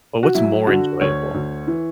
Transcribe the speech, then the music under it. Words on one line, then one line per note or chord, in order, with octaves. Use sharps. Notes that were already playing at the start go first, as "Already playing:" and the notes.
but what's more enjoyable?
F#4
F#3 E4
D3 F#4
D2 C#5
D2
E3